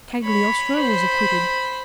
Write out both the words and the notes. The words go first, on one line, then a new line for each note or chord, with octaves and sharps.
Cagliostro was acquitted.
C#5 B5
C5 B5